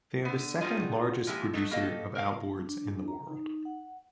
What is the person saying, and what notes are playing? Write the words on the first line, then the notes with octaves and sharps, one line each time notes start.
They are the second largest producer of outboards in the world.
D3 B3
G3 B3 D#4 F4 G#4
F3 G#3 A#3 E4 G4
F#3 A3 D#4
A#3 F#4 G4 A4 D#5 F5
A#4 F5
D4
A#5
D#4
F#5